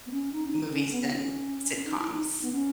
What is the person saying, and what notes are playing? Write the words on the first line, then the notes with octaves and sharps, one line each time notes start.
movies and sitcoms.
B3
C#4
D#4
C#4
D#4
C#4
B3
B3
C#4
C#4
D#4
E4
D#4
B3
C#4